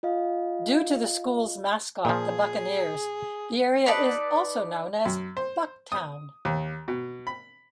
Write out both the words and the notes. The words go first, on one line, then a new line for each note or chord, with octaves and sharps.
Due to the schools' mascot, the Buccaneers, the area is also known as Buc-town.
F4 D#5 F5
A#2 F3 G#4
D#4 B4 D5 A5
F#2
C5
D#6
D#2
B2
B5